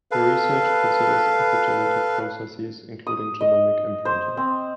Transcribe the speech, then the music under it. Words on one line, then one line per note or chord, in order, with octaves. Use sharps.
Her research considers epigenetic processes including genomic imprinting.
A4 B4 F5
D#6
D#5
C5
C4